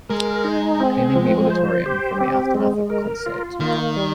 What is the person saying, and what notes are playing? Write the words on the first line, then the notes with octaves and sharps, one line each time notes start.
Cleaning the auditorium from the aftermath of a concert.
G#3 A#4
D#4
C4
F3
C5
G4
C4
G#3
A#4
F4
D#3 A#3
G3